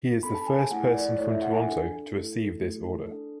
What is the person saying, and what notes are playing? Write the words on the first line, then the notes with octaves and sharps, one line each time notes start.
He is the first person from Toronto to receive this order.
B3 D4 A4 B5
A5
G#5
G#5
A3 E4 G#4 F#5
D5
A3 E4 A4 C#5
E5
F#5
G#5
D4 A4
A3 E4 A4
A3 E4 A4
D4 A4